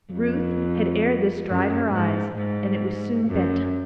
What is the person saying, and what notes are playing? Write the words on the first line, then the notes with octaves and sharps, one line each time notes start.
Ruth had ere this dried her eyes and it was soon bedtime.
F2
F#2
G#2
G#2
F#2